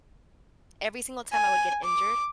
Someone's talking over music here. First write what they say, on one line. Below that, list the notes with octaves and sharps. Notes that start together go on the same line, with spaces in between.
every single time, I would get injured
G#5
D6